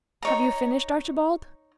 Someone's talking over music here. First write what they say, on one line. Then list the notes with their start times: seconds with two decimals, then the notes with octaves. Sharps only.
"Have you finished, Archibald?"
0.22 D#4 C#5 A#5